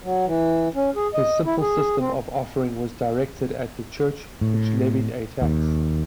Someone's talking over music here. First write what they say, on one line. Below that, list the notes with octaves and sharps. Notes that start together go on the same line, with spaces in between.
His simple system of offering was directed against the church which levied a tax.
F#3
E3
C#4
G#4
D#5
E4
G#4
C4
A2
D#2